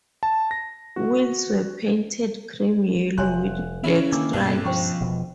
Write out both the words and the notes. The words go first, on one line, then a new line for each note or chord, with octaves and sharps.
Wheels were painted cream yellow with black stripes.
A5
A#6
F#4
F1 C#5 G#5 C6 F#6
C#3 C#4 E4
D#3 A#3 D4 D6 E6
B1 G2 C#3 G#3
F3 C5 G5 C#6
E1 B2